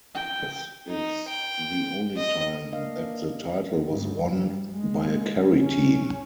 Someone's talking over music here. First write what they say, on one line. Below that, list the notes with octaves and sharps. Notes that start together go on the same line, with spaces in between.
This is the only time that the title was won by a Kerry team.
G5
D#4
G5
D#5
A#3 D4 D#5 F5
G2
G3
G#3
C#4